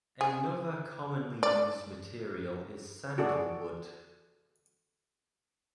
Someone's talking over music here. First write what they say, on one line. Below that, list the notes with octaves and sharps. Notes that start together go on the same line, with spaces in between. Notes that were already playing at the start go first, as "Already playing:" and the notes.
Another commonly used material is sandalwood.
G#4
D5
F#4 G#4 A4 D5